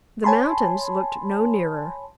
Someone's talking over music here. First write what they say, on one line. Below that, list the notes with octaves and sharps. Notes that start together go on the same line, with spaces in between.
The mountains looked no nearer.
C#5 G#5 A5 B5 C6